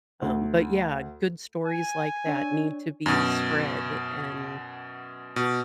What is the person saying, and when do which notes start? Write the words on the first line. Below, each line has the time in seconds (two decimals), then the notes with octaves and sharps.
um but, yeah, good stories like that need to be spread and,
0.22 D2
1.66 G#5
2.26 D4 C#5
3.06 F#2 B2
5.36 B2